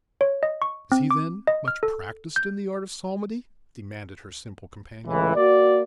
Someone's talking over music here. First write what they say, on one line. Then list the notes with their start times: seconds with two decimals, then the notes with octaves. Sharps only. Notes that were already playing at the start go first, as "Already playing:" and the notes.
"Is he, then, much practiced in the art of psalmody?" demanded her simple companion.
0.21 C#5
0.43 D#5
0.62 C#6
0.92 C4
1.11 D6
1.47 D#5
1.68 F6
1.83 A4
2.36 G6
5.06 C#2 A2 E3
5.35 A#3 F#4 D5